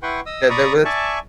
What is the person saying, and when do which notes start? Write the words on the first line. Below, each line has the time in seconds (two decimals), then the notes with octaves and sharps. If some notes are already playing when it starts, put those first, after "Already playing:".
The there was
0.03 E4 B4 F#5 G5 C6 C#6
0.26 D#5 D#6 E6
0.50 D5 A#5 B5 C#6 D#6
0.85 D5 E5 G#5 A5 C#6